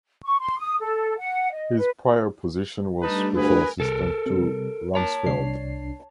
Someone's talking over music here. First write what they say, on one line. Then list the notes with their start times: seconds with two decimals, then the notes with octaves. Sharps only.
His prior position was Special Assistant to Rumsfeld.
0.25 C#6
0.40 C6
0.58 D#6
0.80 A4
1.18 F#5
1.52 D#5
1.78 B4
3.01 G3 A3 D4 D#4 B4 A5
3.34 D2 G2 G#4 A#4 B4 G#5
3.80 C2 A4 A#4
4.26 C3 G3
4.95 A#4 C#5 A5
5.26 C2 D4 C7